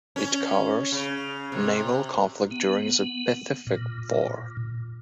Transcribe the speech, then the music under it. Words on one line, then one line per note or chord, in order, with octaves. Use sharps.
It covers naval conflict during the Pacific War.
C#4
C#3
C3
B3
A#2